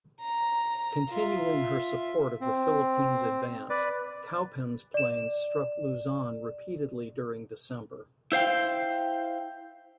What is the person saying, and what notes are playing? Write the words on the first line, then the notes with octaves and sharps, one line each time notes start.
Continuing her support of the Philippines advance, "Cowpens"' planes struck Luzon repeatedly during December.
A#5
F4 E5
C4
B4 D5
D5 E7
E4 C5 F5 G5